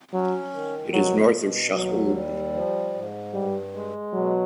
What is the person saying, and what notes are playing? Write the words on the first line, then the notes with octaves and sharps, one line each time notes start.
It is north of Shahrud.
F#3 C#4
D#3
B2 F#3
B2
D#2 F#3
G3
F3
G#2
G2 G3
G#3
B2 F#3